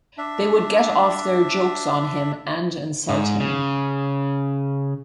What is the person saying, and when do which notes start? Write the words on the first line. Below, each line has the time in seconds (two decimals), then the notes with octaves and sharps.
They would get off their jokes on him and insult him.
0.18 D4 E5
3.09 G#2
3.40 C#3